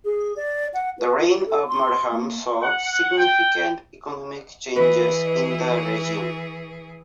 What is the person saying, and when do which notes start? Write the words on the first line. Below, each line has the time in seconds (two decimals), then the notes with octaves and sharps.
The reign of Marhum saw significant economic changes in the region.
0.05 G#4
0.36 D5
0.74 F#5
0.99 B4
1.19 F4
1.46 A4
1.68 C6
2.11 A#3
2.62 F#5
3.17 G5
4.76 E3 G#4 B4